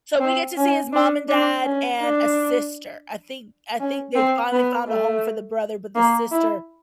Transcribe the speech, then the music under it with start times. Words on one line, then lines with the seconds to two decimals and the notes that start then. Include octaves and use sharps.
so we get to see his mom and dad and a sister. I think I think they finally found a home for the brother, but the sister,
0.20 C4
0.57 C#4
0.93 D4
1.29 D4
1.64 C#4
2.00 D4
3.80 C#4
4.15 C4
4.52 B3
4.87 A3
5.95 A#3
6.31 E4